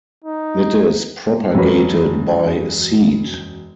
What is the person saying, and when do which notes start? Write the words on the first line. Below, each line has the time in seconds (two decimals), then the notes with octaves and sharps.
It is propagated by seed.
0.24 D#4
1.54 E1 F#2 F#4 A#4 B4 C#5